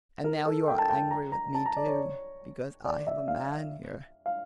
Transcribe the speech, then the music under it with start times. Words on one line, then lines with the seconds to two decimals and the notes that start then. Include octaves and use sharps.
And now you are angry with me too because I have a man here.
0.24 A#4
0.46 A4
0.68 G5
0.79 A5
0.90 G5
1.11 A#5
1.32 A#5
1.55 A5
1.66 A#5
1.77 D5
1.87 C#5
2.85 D5
3.07 E5
3.28 F5
4.26 F5